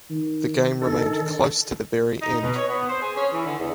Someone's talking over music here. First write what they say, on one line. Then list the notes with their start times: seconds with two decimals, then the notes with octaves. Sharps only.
The game remained close to the very end.
0.10 D#3
0.82 D3 D#3 A4
2.21 D#4
2.42 B2
2.56 C#5
2.68 B3
2.89 C5
3.02 G#4
3.15 C#4
3.32 E3
3.46 D3
3.58 E2